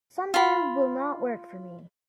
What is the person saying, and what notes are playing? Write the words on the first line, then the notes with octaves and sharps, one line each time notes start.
Sunday will not work for me.
F4 B5